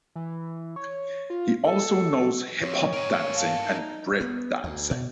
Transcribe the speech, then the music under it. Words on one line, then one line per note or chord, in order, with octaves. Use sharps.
He also knows hip-hop dancing and breakdancing.
E3
C#5
F4
A4
F2 C#5
A#4 G#5
F5 A5
D#4
B3
D2
B2